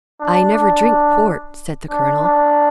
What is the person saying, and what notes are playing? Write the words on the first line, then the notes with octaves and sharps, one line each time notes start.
"I never drink port," said the colonel.
D4
D4
D4
D4